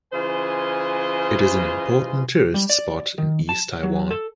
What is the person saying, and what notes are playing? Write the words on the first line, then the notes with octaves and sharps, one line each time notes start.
It is an important tourist spot in East Taiwan.
C#3 E3 F4 C5 D#5 G#5
G3
D5
D#3
A5
F#3
A4